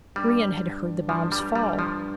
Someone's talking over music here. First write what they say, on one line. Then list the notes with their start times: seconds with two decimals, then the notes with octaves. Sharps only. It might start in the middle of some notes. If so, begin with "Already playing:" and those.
Brion had heard the bombs fall.
0.16 G2 G3
1.09 F3
1.32 G3
1.55 G3
1.79 F3